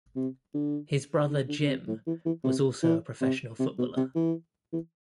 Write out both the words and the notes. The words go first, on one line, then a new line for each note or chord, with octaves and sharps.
His brother, Jim was also a professional footballer.
C3
D3
D3
D3
D3
C3
A2
E3
E3
C3
E3
C3
C3
B2
C3
E3
E3